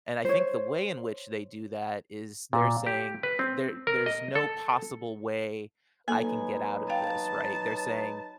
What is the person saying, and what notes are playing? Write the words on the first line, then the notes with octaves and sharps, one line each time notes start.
and I think the way in which they do that is, they're saying, "There there's no possible way I can get out of this," right? They're saying,
C5 C#5
A#2
G4
B4
C4
A#4
D#5
A4
F#3 A#3 D#4 A4 B4 G#5
F5 G5 A5